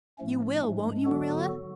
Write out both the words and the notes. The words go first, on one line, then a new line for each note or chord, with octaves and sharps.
You will, won't you, Marilla?
A2 F3 A3 C#4
G#2 G#3 D4
D3 F#3 B3 F#4 A4